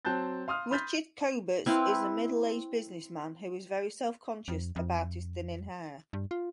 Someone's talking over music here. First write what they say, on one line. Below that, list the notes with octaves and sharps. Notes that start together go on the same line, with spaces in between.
Richard Coberts is a middle-aged businessman who is very self-conscious about his thinning hair.
F#3 C4 A5 F#6 G6 A6
F5 C6 D#6 F6
B5 C6 F6 G6 A6 B6
C4 E4 B4 F5
F2
F2
G2
F4